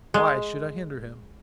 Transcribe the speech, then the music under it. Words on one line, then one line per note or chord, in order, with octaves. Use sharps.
Why should I hinder him?
G#3